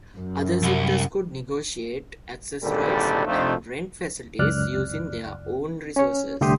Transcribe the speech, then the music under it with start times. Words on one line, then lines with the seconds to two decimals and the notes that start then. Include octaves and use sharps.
Other sectors could negotiate access rights and rent facilities, using their own resources.
0.17 F#2
0.63 C2
2.63 G#1 C#2 A#2 D3 G3 A4
3.26 F2 A3 D4 D#4 F4 C5
4.39 C#2 F#2 D5 F6 F#6
5.96 C#4 C#5
6.41 C2 D3 A3 G4 C6 D#6